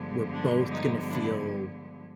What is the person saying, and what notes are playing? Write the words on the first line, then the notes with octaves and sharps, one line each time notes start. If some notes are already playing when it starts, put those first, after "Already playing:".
we're both gonna feel
Already playing: G2 D3 F3 G#3 B3
D4
D#4
D4 E4